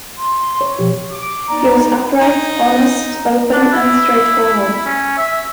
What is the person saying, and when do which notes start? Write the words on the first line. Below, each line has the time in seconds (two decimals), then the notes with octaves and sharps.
He was upright, honest, open and straightforward.
0.18 C6
0.61 C#5
0.79 B2 F3 G4
1.11 D6
1.48 B3 D#4 D5 A#5
2.21 D#4
3.53 D4
3.72 E4
4.86 C#4
5.18 E5